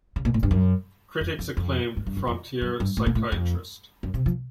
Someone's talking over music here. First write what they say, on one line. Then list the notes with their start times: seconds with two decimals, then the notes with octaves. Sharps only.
Critics acclaimed "Frontier Psychiatrist".
0.16 C#3
0.25 A#2
0.34 A2
0.43 G2
0.51 F#2
1.21 F2
1.39 F2
1.57 F2
1.97 G#2
2.07 G2
2.17 F#2
2.27 F2
2.61 F#2
2.80 G2
2.97 A2
3.06 A#2
3.15 A2
3.32 F2
4.03 F#2
4.14 C3
4.26 F3